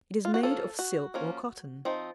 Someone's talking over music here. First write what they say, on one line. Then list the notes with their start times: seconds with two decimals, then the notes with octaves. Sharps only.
It is made of silk or cotton.
0.25 F4
0.34 F#4
0.43 F3 A#3 C#4 A4
0.79 F#4
1.14 F3 A#3 C#4
1.85 F3 C4 D#4